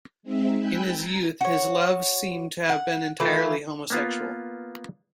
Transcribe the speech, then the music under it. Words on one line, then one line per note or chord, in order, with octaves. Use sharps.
In his youth his loves seem to have been entirely homosexual.
G#3 C4 D#4 E5
G5 G#5 B5 E6 F#6 G6
A#5 G#6 A6
F#4 C#5
F#5
E3 A3 F4
A#3 B3 F4